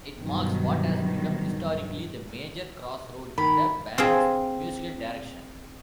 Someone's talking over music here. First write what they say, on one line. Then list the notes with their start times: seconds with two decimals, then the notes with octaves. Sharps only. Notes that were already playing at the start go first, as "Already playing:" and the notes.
It marks what has become historically, the major crossroad in the band's musical direction.
0.19 G2 B2 D3 D#3 F3 F#3
3.38 D#3 B5
3.98 C4 F4 G#4